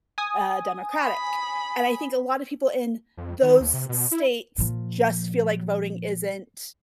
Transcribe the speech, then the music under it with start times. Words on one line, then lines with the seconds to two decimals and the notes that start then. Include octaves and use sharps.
uh, Democratic, and I think a lot of people in those states just feel like voting isn't
0.18 G#5 D#6
0.99 B5
3.17 F2
3.42 D#3
3.60 D#2
3.74 C3
3.89 B2
4.11 E4
4.58 A#2 F3